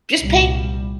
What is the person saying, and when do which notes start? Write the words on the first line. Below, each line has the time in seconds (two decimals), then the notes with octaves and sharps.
just pay
0.21 C2 A#2 G3